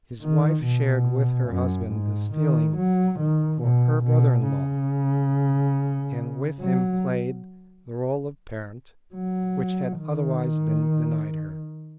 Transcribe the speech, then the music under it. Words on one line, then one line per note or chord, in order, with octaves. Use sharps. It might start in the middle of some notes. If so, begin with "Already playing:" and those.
His wife shared with her husband this feeling for her brother-in-law, and with him played the role of parent, which had otherwise been denied her.
D#3
B2
F#2
G#2
D#3
F#3
D#3
B2
B2
C#3
F#3
F#3
D#3